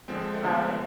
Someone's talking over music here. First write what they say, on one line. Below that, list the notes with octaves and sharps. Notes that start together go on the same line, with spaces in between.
Oh, okay.
D3 F3 G#3 C4
A3
D3 F3 G#3 B3